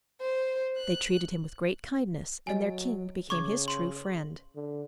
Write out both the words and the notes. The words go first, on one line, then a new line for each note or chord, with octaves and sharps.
They treated him with great kindness and their king became his true friend.
C5
F#6
F#3 D#5 G#5
C#3 C#6 D6 G#6
C6
D3